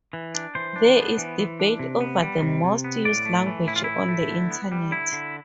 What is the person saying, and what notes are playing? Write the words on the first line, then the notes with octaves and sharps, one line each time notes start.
There is debate over the most-used languages on the Internet.
E3
D4
E3 C5
D4
B3
E3
E3
D4
C3
B3
G3
C3
C3
B3
A2 D5
A3
E3
A2 E4
F4
A2 E4
A3
D3
B3
G3
D3 E4
D3